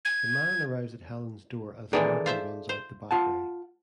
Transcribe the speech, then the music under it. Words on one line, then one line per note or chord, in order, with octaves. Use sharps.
The man arrives at Helen's door as Markie runs out the back way.
G#6
D#3 E3 G#3 G#4 A4 D5
F4 C5 E5
C5
F4 F#5 A5